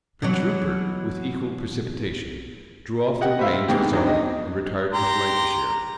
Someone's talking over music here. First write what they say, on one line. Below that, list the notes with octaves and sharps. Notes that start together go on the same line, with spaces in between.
Prince Rupert, with equal precipitation, drew off the remains of his army, and retired into Lancashire.
B2 E3 F#3
G4 D#5 F#5
B4 C5 E5 F5
G#2 B2 D#3 A#3 G4
E2 D#3 F3 F#3 C4 D4
D#5
G4 A#5 C6